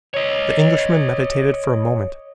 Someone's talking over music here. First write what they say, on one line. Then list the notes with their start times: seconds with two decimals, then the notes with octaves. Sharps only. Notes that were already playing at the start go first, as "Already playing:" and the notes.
The Englishman meditated for a moment.
0.14 C#5 D#5